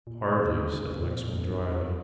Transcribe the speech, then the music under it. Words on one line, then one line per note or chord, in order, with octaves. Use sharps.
"Hardly," said Lexman, drily.
A#2
B2
C#3
D3
C#3
A#2
G2
G2
F#2